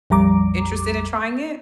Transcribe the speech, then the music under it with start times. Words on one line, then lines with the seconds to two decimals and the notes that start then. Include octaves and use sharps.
interested in trying it?
0.10 A#1 F2 G3 A#5 D6